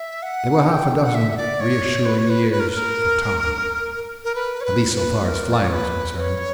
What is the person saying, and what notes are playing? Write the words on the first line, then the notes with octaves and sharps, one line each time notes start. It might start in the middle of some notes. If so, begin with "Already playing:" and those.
There were half a dozen reassuring years for Tom--at least so far as flying was concerned.
Already playing: E5
F#5
G5
F#5
E5
E5
D5
C#5
B4
C#5
B4
B4
A#4
A#4
A#4
B4
C#5
B4
B4
A#4
D5
C#5
B4
C#5